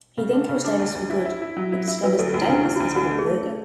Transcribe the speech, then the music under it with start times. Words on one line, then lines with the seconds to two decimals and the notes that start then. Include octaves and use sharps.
He then kills Davis for good, but discovers that Davis has killed Burger.
0.18 C#3
0.33 D4
0.49 C#3
0.64 D4
0.79 D2
0.95 D2
1.10 E4
1.25 E4
1.42 E4
1.57 F#3
1.72 E4
1.88 E4
2.03 F#3 B4
2.19 D2 A4
2.34 D2 F#4
2.42 E4
2.49 C#3 D4
2.65 D2 E4
2.76 F#4
2.80 D2 E4
2.95 D3 F#4
3.11 A3
3.19 G#4
3.27 A3
3.42 A3